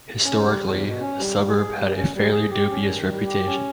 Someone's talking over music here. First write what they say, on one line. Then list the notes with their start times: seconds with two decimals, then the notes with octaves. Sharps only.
Historically, the suburb had a fairly dubious reputation.
0.24 C#4
0.43 G3
0.63 E2
0.81 B2
1.00 C#4
1.19 G3
1.38 G3
1.57 G#4
1.76 G3
1.94 C#4
2.13 G3
2.32 G#4
2.51 G4
2.70 C#4
2.89 D#3
3.07 G3
3.26 G4
3.46 C#4